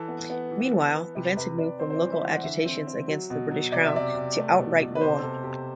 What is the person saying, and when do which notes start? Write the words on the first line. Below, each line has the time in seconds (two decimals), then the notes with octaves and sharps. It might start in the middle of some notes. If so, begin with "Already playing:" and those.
Meanwhile, events had moved from local agitations against the British crown to outright war.
Already playing: E3 A4
0.08 B3
0.30 B3
0.51 E3
0.73 B3
0.94 B3
1.15 C3 B4
1.36 C3 B4
1.58 C3 D5
1.79 C4 C5
1.90 C5
1.95 D5
2.01 E3
2.12 E5
2.22 E3
2.28 F#5
2.43 D3 E5
2.65 C4
2.87 C4
3.08 F#3
3.30 B2
3.51 F#3
3.72 C3 D5
3.85 E5
3.94 C3 D5
4.15 C3
4.36 A3
4.58 B2
4.79 B2
4.95 B4
5.01 C3 C5
5.22 C3 A4
5.43 C3 G4